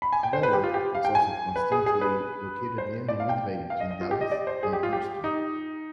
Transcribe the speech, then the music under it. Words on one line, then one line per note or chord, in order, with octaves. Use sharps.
However, it is also coincidentally located nearly midway between Dallas and Houston.
B5
G#5
G5
C5
B4
G4
F4
G4
F5
G5
G#5
B4
G#4
G#4
B4
C5
D5
F5
G5
F5
D#5
D#5
F4
G4
D#5
D5
C5
G#4
G4
F4
G4
D#4